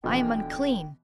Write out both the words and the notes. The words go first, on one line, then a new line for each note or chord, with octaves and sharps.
I am unclean!
D1 B2 D3 E3 F3 G5